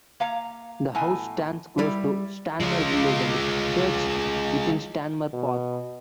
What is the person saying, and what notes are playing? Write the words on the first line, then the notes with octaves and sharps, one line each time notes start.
The house stands close to Stanmer village and Church, within Stanmer Park.
A#3 F5 A#5
A2 B3 G#5
G3 E4
G#3 F4
B2